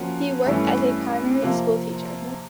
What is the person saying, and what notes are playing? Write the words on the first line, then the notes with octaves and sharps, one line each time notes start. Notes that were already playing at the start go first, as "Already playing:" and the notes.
He worked as a primary school teacher.
Already playing: F3 A#3 C#4 F#4
G2 E3 A3 C#4
C3 F3 A#3